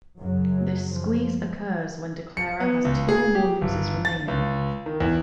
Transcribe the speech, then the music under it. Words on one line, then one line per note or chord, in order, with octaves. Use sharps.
This squeeze occurs when declarer has two or more losers remaining.
F#2 C#3 F#3
F3
C#7
B3
C#2
G#4
G4
G1
A6
C#2
D#3
E2